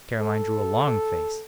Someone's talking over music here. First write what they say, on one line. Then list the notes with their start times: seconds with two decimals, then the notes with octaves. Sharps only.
Caroline drew a long face.
0.20 A4